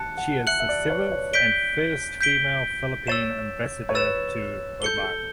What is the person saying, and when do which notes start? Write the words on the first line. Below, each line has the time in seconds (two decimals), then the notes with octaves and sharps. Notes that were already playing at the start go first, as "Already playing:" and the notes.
She is the seventh and first female Philippine Ambassador to Oman.
Already playing: A5 F#6 C#7
0.17 F#5
0.47 E5 F#6 C#7 F#7
0.60 E5
0.69 D5
0.85 B4
0.90 C#5
1.07 D5
1.12 C#5
1.33 D5 G6 B6 D7 G7
2.21 G6 B6 D7 G7
3.07 C#5 E6 A6 E7
3.89 C#5
3.94 B4 E6 A6 E7
4.82 A4 G6 C#7 G7
5.03 A4